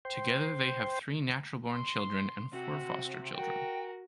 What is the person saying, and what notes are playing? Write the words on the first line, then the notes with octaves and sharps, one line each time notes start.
Together they have three natural born children and four foster children.
C5 G5 C6
C6
C3 F#4
F#4 A#4 G5